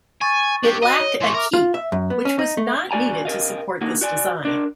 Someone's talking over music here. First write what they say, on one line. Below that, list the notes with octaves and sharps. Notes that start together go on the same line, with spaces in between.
It lacked a keep, which was not needed to support this design.
G#5 C#6 D#6 A6
D4 G4
F#4 D#5 F#6 A#6
C#5
A2 E3 C6 C#6
A#4 E5 D6 F6
F4
E5
F#2
B3
C#4
D#4
A3
G2 F#4 D5 G#5 A#5
C3 A#4 D#5 F5
D3 A#3 D#4 F#4
F#4 D5 G#5
D4 A#4